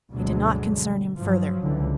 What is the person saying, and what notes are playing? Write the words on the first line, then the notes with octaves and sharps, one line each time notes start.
It did not concern him further.
D2 G2 B2 D3 F#3 G#3
G2 F3 F#3
C#2 D3 E3